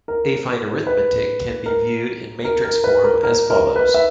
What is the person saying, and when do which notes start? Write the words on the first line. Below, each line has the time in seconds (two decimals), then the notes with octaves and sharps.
Affine arithmetic can be viewed in matrix form as follows.
0.08 A#4
0.87 B4
1.66 A#4
2.45 A#4
2.64 A#4
2.84 B4
3.04 A#4
3.23 A#4
3.50 A#4
3.76 B4
3.94 E5